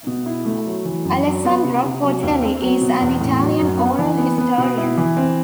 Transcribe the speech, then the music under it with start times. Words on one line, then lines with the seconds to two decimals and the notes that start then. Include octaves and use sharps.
Alessandro Portelli is an Italian oral historian.
0.07 B2
0.26 E4
0.46 A3
0.66 F#3
0.85 E3
1.05 F#2
1.24 F#3
1.44 B3
1.64 C3
1.83 C3
2.03 F#3
2.23 D#2
2.42 C4
2.62 F#3
2.81 B2
3.00 E2
3.21 A2
3.40 F#3
3.60 F#2
3.79 B3
3.98 E3
4.18 B3
4.38 B3
4.58 B2
4.77 E4
4.97 E3
5.17 C4